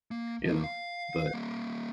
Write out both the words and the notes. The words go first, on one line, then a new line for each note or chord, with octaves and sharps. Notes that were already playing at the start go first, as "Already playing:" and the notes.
you know, but
A#3
F3 A#3
F5
G3 A#3